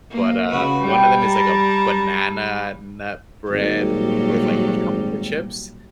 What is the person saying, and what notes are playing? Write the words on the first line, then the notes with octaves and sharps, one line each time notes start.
but, uh, one of them is, like, a banana nut bread with, like, chocolate chips,
A#3
C#3 F#4 B4
G#2 G3 B4 G5
A5 A#5
G#1 A#2 F#3 G3